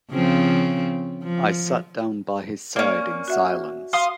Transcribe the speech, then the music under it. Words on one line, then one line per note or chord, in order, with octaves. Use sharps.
I sat down by his side in silence.
C#3 F3 C4
F3
A#3 C#4 D5
F#4 E5 F#5
F5 C6 D#6